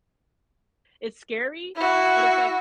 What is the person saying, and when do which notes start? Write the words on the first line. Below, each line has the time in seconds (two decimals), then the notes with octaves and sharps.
it's scary, but it's, like,
1.76 E4 F#4